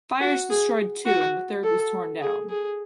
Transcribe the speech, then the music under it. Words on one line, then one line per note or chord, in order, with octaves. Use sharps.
Fires destroyed two and the third was torn down.
F#4
G#4
F#4
A4
G#4
G#4